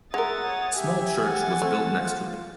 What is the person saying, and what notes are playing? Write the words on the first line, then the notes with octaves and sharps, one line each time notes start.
A small church was built next to it.
G#3 A#4 E5 F#5 D#6 A6
C#5
G4 E5 G#5
F#5 A6
A3 C4
F4